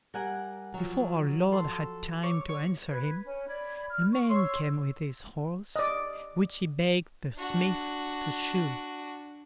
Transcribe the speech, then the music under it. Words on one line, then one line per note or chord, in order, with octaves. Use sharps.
Before our Lord had time to answer him, a man came with his horse, which he begged the Smith to shoe.
G3 A#4 F#5 G#5
F3 F#3
A4 C6
C#5 D6 E6
C#5
B4 G#6
C#4
D5 B5 G#6
F6
C#6
C#5 C6 C#6 E6
D5 D#5
D4 F#4